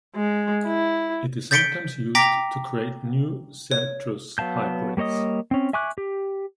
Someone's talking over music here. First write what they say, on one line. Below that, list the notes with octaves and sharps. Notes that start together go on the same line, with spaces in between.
It is sometimes used to create new citrus hybrids.
G#3
E4
G6 A6 B6 C#7 D7 G7
G5 A#5 D6 A#6 B6 F7
C#5
F#3 B3 F5 A5 G6
G3 A#3 C#5 D#5 D#6
C4 C#4
E5 G#5 C#6 D6 F#6
G4